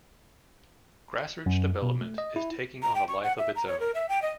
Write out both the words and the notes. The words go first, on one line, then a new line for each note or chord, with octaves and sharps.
Grassroots development is taking on a life of its own.
F#2
B2
A3
D#5
E4
A#5
G5
C#6
F#5
E5
A#5
C#5
A#4
E5
G5
D#5